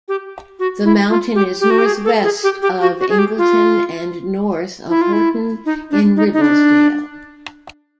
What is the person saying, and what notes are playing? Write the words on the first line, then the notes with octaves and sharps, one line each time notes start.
The mountain is north west of Ingleton and north of Horton-in-Ribblesdale.
G4
F#4
E4
F4
G4
G4
F#4
G4
G#4
A4
G#4
G4
G4
F#4
F#4
G#4
G4
F4
E4
F4
E4
D#4
D4
D#4
D#4
D4